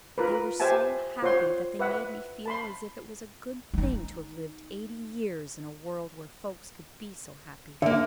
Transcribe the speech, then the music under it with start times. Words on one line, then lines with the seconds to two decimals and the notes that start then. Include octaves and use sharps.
They were so happy that they made me feel as if it was a good thing to have lived eighty years in a world where folks could be so happy.
0.18 F4 A#4 B4
0.60 G4 C5 E5 F#5 G#5 A5
1.22 F4 C5 C#5 F#5 C6
1.79 B4 E5 F#5
2.46 A5 B5 C6
3.74 C#4 D#4
7.82 D3 A#3 E5